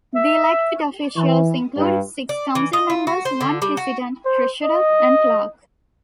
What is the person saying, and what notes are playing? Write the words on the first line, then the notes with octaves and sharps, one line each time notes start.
The elected officials include: six council members, one president, treasurer and clerk.
E5
E3
G2
D5
E3
D#5
F4
F#4
C5
D3
G3
F#4
C5
D#5